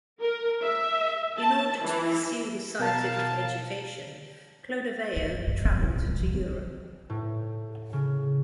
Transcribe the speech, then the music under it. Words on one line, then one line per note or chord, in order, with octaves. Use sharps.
In order to pursue his scientific education, Clodoveo traveled to Europe.
A#4
E5
A5
E3
B2 A#4 F5 A5
D4
F#2
G2
C4
C3
B2
C#2
F3
C4
A2
C#3